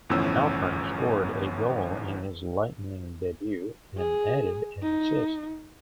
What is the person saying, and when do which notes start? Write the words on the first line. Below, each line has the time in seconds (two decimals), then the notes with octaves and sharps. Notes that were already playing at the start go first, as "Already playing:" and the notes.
Halpern scored a goal in his Lightning debut, and added an assist.
0.10 G1 E2 A2 F3 C#4 E6
3.97 G#4
4.83 D#4